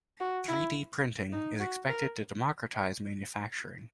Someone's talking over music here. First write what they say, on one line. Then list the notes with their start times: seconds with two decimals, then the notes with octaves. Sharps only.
Three-D printing is expected to democratize manufacturing.
0.20 F#4
0.48 E4
1.32 D#4
1.60 F#4
1.89 A#4